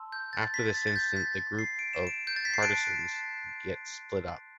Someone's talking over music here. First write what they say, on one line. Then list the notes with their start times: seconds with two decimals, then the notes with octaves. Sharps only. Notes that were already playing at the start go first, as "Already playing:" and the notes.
After this incident, the group of partisans gets split up.
Already playing: A5 C6 E6
0.12 G6
0.33 A6
0.54 B6
0.74 A6
0.88 A6
0.96 G6
1.16 B6
1.59 C7
1.79 D7
1.93 E7
2.07 D7
2.27 G6
2.36 A6
2.45 B6
2.54 C7
2.62 A5 C6 F#6 D7